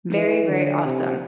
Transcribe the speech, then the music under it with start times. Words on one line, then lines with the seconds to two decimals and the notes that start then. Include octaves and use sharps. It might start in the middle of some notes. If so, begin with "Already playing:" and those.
Very, very awesome.
0.14 E3
0.49 D3
0.84 C3